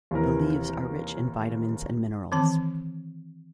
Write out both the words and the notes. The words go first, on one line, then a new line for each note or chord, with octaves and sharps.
The leaves are rich in vitamins and minerals.
D#2 C3 E3 A#4
D#3 E3 C4 A5